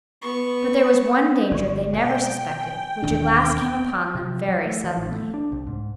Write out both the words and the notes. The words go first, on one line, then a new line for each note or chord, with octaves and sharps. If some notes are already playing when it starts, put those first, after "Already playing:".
But there was one danger they never suspected, which at last came upon them very suddenly.
B3 C#6
G1 D5 C#6
B2 C#5 D5 G5 G#5
G#5
E1 D#2 D4
C3
F#3
A3
E3
A1
A3
D4
C2
G#2